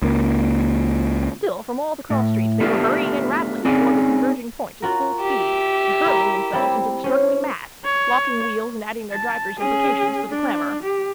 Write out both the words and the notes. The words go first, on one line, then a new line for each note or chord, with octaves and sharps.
And still from all the cross streets they were hurrying and rattling toward the converging point at full speed, and hurling themselves into the struggling mass, locking wheels and adding their drivers' imprecations to the clamour.
C#2 A#3
A2
A3 B3 D4 F4 G4
C4 C#4 D#4 G#4 D5
F4 F#4 A#4
G4 E5
E4 A#4
G3 C4 E4
C#4 C5
C#5
A5
C#4 G#4
D4
G4